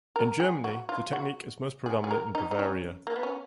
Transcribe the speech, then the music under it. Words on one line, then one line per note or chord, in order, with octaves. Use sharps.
In Germany, the technique is most predominant in Bavaria.
A#4
G#4
F#4
F4
F#4
G#4
G#4
A#4
D#4
D#4
C#4
A#3
B3
C#4